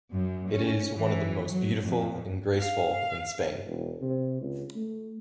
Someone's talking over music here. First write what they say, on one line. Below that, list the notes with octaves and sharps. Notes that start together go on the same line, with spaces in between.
It is one of the most beautiful and graceful in Spain.
F#2
C#4
E3
F#3
F2
F5
E1
C3
C#2
A3